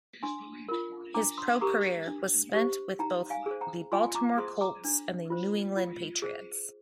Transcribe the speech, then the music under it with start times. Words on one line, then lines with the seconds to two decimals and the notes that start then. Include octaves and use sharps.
His pro-career was spent with both the Baltimore Colts and the New England Patriots.
0.23 D4 G#5 C6
0.69 F4 A#4
1.15 D4 A#5 D6
1.38 C6 D#6
1.55 D#6
1.61 G4 A#4 A#5 D6
2.08 D4
2.54 G4 C5
2.99 D#4 G5 A#5
3.30 F5 G#5
3.46 G#4 C5
3.61 G5 A#5
3.92 F4 G#5 C6
4.15 A#5 D6
4.38 G#4 C5 C6 D#6
4.61 A#5 D6
4.85 D4
5.30 F4 C5
5.77 F4
6.22 G#4 C5